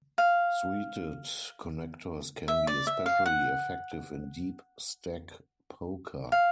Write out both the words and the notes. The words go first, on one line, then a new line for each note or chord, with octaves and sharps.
Suited connectors can be especially effective in deep stack poker.
F5
E5
D5
E5
F5
F#5
F5